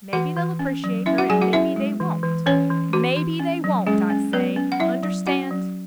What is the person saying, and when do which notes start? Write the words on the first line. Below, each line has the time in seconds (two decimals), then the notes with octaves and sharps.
Maybe they'll appreciate her, and maybe they won't; maybe they won't, I say; Understand?
0.13 E3 F#4 F#5
0.36 E3
0.59 C#4
0.84 F#3
1.06 C#4 E4 E5
1.18 F#4 F#5
1.30 F#3 G#4 G#5
1.42 F#4 F#5
1.53 C#4 E4 E5
1.76 G#3
2.00 E3
2.23 E3
2.46 E3 C#4 C#5
2.70 E3
2.93 E3 F#4
3.16 E3
3.39 C#4
3.64 F#3
3.87 G#3 C#4 G#4
4.10 C#4
4.33 F#3 B3 B4
4.56 C#4
4.72 F#5
4.80 F#3 E4 E5
5.03 F#3
5.27 C#4 F#4 F#5
5.50 F#3